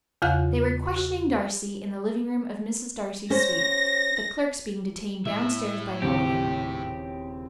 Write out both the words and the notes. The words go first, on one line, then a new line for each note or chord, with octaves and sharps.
They were questioning Darcy in the living-room of Mrs. Darcy's suite, the clerks being detained downstairs by Mulligan.
E2 C#3 F4 F5 F#5 F#6
F#4
C#4 C5 A#6
A2 E5
D#1 C#3 C4 E4 G4 C#6